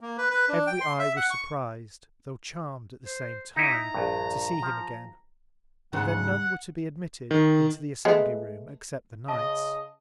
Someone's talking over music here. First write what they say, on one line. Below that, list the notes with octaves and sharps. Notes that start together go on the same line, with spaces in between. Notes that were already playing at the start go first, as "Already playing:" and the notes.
Every Eye was surpriz'd, tho' charm'd at the same Time to see him again: But then none were to be admitted into the Assembly-Room except the Knights.
A#3
B4
B4
D4
G5
C6
E5
F#5
C#6
C5
D#4 E4 A#5
A#1 G2
F3
D2 G#2 C#3 F#5
D#3
G#3 A3 B3
C#3 D#5 A5